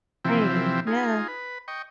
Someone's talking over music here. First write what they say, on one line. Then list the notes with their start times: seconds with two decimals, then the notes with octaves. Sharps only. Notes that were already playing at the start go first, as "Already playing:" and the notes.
Dang! Yeah.
0.25 C3 E3 F3 C4 E4 G4
0.87 D#4 F4 G#4
1.28 B4
1.68 D#5 G5 C#6